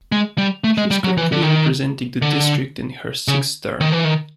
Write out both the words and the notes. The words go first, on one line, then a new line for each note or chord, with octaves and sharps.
She is currently representing the district in her sixth term.
G#3
G3
A3
G#3
G3
F#3
E3
D3
D#3
D3
C#3
D#3
E3
D#3